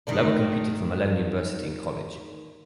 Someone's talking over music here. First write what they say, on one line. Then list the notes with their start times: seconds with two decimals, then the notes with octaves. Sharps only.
Lower competed for Malone University in college.
0.07 D#3 A3 D4